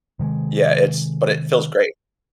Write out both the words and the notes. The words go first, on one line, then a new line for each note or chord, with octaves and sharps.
yeah, it's but it feels great.
C3 D#3 G#3